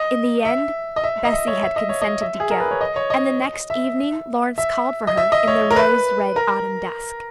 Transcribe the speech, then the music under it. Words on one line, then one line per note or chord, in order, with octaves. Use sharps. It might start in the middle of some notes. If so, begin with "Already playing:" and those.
In the end Bessy had consented to go, and the next evening Lawrence called for her in the rose-red autumn dusk.
Already playing: D#5
E5
D#5
E5
D#5
E5
C#5
E5
D#5
C#5
D#5
E5
G#4
A#4
B4
C#5
D#5
C#5
D#5
E5
E5
D#5
E5
D#5
C#5
A#4
B4
A#4